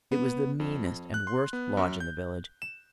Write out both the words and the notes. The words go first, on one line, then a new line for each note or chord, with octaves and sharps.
It was the meanest and worst lodge in the village.
B3
F2
F#6
C6
B3
F#2
G6
E7